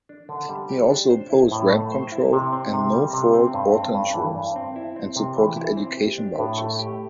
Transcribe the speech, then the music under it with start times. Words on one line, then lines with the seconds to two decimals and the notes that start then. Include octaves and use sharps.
He also opposed rent control and no-fault auto insurance, and supported education vouchers.
0.09 D4
0.29 D3
0.49 G3
0.69 G4
0.90 D4
1.10 C5
1.30 E4
1.51 A2
1.71 A3
1.92 C5
2.12 E4
2.32 C3
2.53 C4
2.73 C3
2.93 G3
3.13 C3
3.34 C4
3.54 G2
3.74 C4
3.94 G2
4.14 E3
4.35 G2
4.56 C4
4.76 E4
4.96 C4
5.16 C3
5.36 E3
5.57 E4
5.77 C4
5.97 G4
6.18 D4
6.38 A2
6.58 A3
6.79 G4